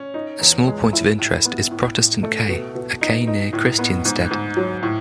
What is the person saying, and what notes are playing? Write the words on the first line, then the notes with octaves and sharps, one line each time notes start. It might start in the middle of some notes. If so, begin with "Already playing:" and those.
A small point of interest is Protestant Cay, a cay near Christiansted.
Already playing: C#4
D#4
E2
G#3
E4
A2
B3
A2
A2
A3
B2
B2
D#4
D#4
A2
B3
G#2
G#2
F#3
A2